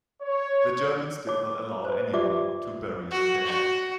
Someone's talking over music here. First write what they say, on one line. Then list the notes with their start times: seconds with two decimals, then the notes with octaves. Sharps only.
The Germans did not allow anyone to bury the dead.
0.22 C#5
1.27 C#5 D6
1.85 B4 C5
2.13 F4 G4 D5 E5 D6
3.11 F#4
3.46 F#4